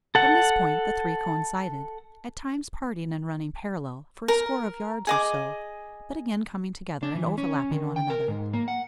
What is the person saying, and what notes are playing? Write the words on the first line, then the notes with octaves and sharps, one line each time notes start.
From this point the three coincided--at times parting and running parallel, for a score of yards or so, but again coming together and overlapping one another.
A4 F#5
A#4
G#4 D#5 D6
D4
E3
C#4
D#3
G5
A#4
G#2
A#3
F#5